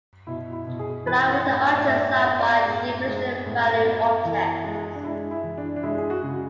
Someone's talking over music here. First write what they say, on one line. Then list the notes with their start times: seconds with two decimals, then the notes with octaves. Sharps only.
Flyweight objects are by definition value objects.
0.27 B2 E4
0.53 E4
0.67 B2
0.79 G#4
1.06 E3 B4
1.33 F#5
1.47 A2
1.68 C#5
1.77 D5
1.85 A2 E5
2.13 E5
2.25 B3
2.39 D5
2.65 A2 G#4
3.05 G#3
3.45 A2
3.84 B3
4.25 E3
4.64 G#3
4.95 D4
5.05 G#3 E4
5.31 E4
5.43 E3
5.58 D4
5.76 D4
5.83 G#3 E4
5.98 G#4
6.10 F#4
6.23 C#3